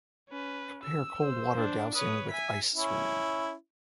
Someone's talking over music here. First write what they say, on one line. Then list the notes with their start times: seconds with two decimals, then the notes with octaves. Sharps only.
Compare cold water dousing with ice swimming.
0.30 C#4 B4
0.83 E6
1.23 C5
1.56 D4
1.95 B4 C#5 D#6
2.30 E5 G#5 B6
2.75 C#4 E4